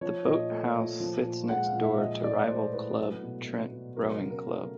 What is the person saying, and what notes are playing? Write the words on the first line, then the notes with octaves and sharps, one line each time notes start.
The boathouse sits next door to rival club Trent Rowing Club.
F3 C#5
A#2 D#5
A3
A#2
F3
A#2
G#3 F#5
F5
A#2
E5
F3 D#5
A2 D5
A3 C5
A2 B4
F#3
B2
A3
B2
F#3 A#4
C#3
A#4
A3